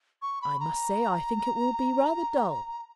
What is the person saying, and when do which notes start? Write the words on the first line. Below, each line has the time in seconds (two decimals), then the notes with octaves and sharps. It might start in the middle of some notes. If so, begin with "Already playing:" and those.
"I must say, I think it will be rather dull."
0.22 C#6
0.42 B5
0.60 A#5